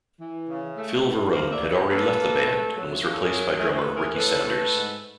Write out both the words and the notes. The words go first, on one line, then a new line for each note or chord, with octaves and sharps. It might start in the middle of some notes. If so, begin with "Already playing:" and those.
Phil Varone had already left the band and was replaced by drummer Ricky Sanders.
E3
C#3
A3
E3
A#3 A#4 C5
D5 E5
G2
B4 C#5
A#3 A4 B4
A#3
A3
F#3
C#3 A#4
A4
G#4 A#4
F#3
A3 G#4 A#4
C5
A4 B4
A2
G#4 A#4
A2 A4 B4
A3
G#2